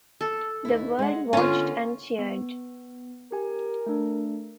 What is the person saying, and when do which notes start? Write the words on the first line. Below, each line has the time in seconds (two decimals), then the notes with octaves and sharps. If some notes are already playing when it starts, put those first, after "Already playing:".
The world watched and cheered.
0.21 A4
0.65 D#2 E4
0.99 G#3 F#5
1.33 D3 A#3 B3 C#4 F4
2.19 B3
3.32 G4 A#4 G#5
3.86 A3 D4